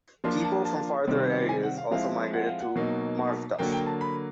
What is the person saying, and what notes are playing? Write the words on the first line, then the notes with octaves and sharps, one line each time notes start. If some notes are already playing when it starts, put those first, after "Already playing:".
People from farther areas also migrated to Marvdasht.
F3 A#3 D4 F4 C6
A5
A5
C3 D#3 G3 C4
G#5
F#5
F5
F3 G#3 C4 E4 F5
F#5
F5
F#5
B2 F#3 A#3 D#4
D3 F#3 A#3 G5
G5
A5
B5